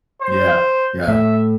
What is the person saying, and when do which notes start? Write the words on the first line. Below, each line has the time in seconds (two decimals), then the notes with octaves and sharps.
Yeah, yeah.
0.22 C5
1.08 A2 E5